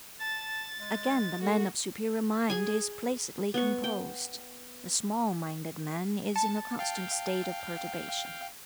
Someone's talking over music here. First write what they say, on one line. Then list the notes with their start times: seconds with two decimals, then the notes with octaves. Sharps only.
Again, "The man of superior mind is placidly composed; the small-minded man is in a constant state of perturbation."
0.21 A5 A6
0.78 G#3
1.42 A3 F#4
2.50 G#4 G#5
3.54 B3 F#5 C#6
3.84 G5
6.36 A5 A6 C#7
6.79 F5 G5